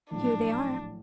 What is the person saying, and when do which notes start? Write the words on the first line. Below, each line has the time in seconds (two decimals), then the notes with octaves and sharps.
"Here they are."
0.11 A#1 A2 F#3 D4